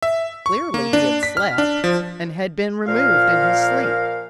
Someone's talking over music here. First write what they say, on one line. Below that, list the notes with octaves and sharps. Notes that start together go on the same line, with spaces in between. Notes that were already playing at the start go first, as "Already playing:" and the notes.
Clearly he had slept, and had been removed in his sleep.
E5
C#6
A#3
D4
B6
F6
D4
F3
A#2 F3 A#4 F5